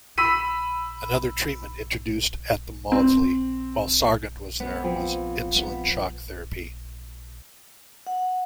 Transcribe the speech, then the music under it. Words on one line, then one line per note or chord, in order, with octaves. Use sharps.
Another treatment introduced at the Maudsley while Sargant was there was insulin shock therapy.
B5 E6 B6 D#7
C4
B3
F2
B3
F#5